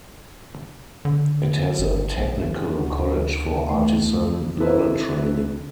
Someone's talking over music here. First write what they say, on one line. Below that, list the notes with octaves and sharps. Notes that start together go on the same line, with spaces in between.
It has a technical college for artisan level training.
D3
G1
B1
D2
A3
C4 D#4 E4 A4 B4